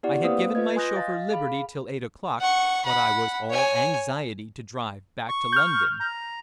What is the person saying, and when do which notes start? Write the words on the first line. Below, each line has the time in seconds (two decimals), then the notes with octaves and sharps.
I had given my chauffeur liberty till eight o'clock, but I was all anxiety to drive back to London.
0.03 B3 E4 G4 D5 F#5
0.23 A#3 C4 B4 C5 F5 D#6
0.55 F4 B4 D#5 G#6
0.76 G#5 C6 D#6 F#6 G6 A#6
0.96 D#5 F5 A6
1.30 G#4 F5 B5
2.41 F#5 C#6
2.85 F#5 B5
3.49 C#5 G#5
5.29 C#6
5.53 F6 G6
6.00 A#5